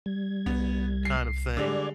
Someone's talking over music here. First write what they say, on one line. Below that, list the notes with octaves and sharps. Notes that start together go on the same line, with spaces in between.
kind of thing,
G3 G#6
C2 B3
C7
D3 G3 G#3 D5 D6 G#6